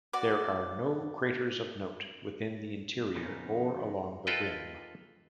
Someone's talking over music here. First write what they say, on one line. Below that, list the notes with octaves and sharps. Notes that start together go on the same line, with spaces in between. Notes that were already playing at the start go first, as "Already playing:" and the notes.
There are no craters of note within the interior or along the rim.
F#4 D5 D6
F2 A#2 C#3 F3 B3 D#4
F4 A4 B4 D#5 G5